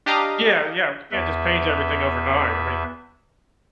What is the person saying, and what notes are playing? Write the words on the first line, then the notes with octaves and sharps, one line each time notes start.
Yeah, yeah, we can't just change everything overnight. I mean,
D4 G4 D#5 F5 A#5
E2 B4 E5